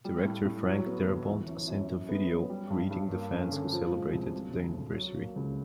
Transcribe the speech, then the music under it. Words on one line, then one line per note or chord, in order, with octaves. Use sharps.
Director Frank Darabont sent a video greeting the fans who celebrated the anniversary.
G3
A2
A2
F#3
B3
D2
E3
F#2
F#2
F#3
B3
F#2
G3
G2
G2
A#3
C#4
D3
F3
G#3
C2
F#3
D2
D2
F#3
A#3
C#2